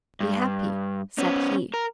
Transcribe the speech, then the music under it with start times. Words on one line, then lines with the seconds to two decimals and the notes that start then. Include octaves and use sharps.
"Be happy!" said he.
0.20 G2
1.18 B3 C#4
1.74 A#4